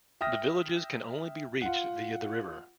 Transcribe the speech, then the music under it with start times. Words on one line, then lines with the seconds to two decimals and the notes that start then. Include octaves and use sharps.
The villages can only be reached via the river.
0.21 E5 G5 D#6 F6 A#6
1.62 F4 F#5